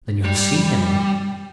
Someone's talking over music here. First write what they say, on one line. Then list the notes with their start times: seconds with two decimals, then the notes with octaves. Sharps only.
"Then you have seen him?"
0.25 G3